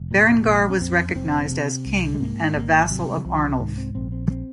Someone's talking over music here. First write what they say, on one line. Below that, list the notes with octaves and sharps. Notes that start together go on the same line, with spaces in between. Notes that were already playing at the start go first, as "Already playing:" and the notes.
Berengar was recognised as king and a vassal of Arnulf.
Already playing: F1
A#2
A#1
C#4
F2 C4
C#4
F1 C4
C3
C2
G#3
G#2 A#3
G#1 A#3
C3 F#3
G#3
F#3
C2 F3
G#2 D#3
C4
A#1 C4
C4
C4